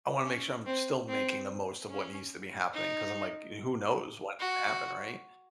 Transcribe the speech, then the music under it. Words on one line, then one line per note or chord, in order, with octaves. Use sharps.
I wanna make sure I'm still making the most of what needs to be happening, 'cause I'm like, eh, who knows what will happen, right?
C#4
C4
C4
C#4
D#4
F#4